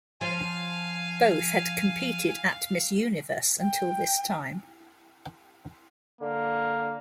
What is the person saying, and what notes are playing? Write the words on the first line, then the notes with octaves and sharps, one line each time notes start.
Both had competed at Miss Universe until this time.
F3 C5 F5 G#5
G5
D3 A#3